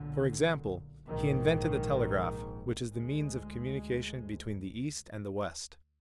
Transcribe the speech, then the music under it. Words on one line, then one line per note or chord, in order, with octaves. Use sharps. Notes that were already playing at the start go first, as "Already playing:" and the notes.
For example, he invented the telegraph, which is the means of communication between the East and the West.
Already playing: B1 A#2 D3
A#1 G#2 D#3
D2 G#3